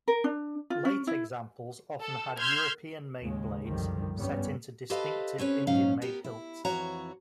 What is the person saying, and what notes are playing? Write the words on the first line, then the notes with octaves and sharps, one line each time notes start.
Late examples often had European-made blades, set into distinctive Indian-made hilts.
A#4
D4
F4
C#4
E4
A4
C6 E6 F6 G6 G#6 B6
D#2 A2 C#3 G#3
C2 F#2 D3 D#3 F3 G3
G#1 G2 G3 B3 C#4
G4 A4 B4 C5 D#5 F5
C4 C#4 B4 C#5
G#2 F#3 C#4 D#4 F5
B3 G4 A#4
E4
F2 E3 F#4 C#5 A#5